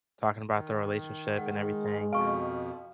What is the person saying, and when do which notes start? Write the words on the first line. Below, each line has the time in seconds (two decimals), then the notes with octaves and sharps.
talking about their relationship and everything,
0.55 D#3
1.38 G#3 F#5
2.13 F2 B2 F5 G#5 C#6